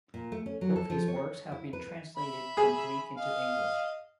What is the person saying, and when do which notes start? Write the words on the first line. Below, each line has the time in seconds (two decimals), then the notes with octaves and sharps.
Both his works have been translated from Greek into English.
0.14 A#2
0.32 A3
0.46 C#4
0.61 F#3
0.76 A4
0.90 F3
1.08 C#5
1.52 E4
1.73 B4
2.17 E5 B5
2.57 G#4
3.17 D#5 F5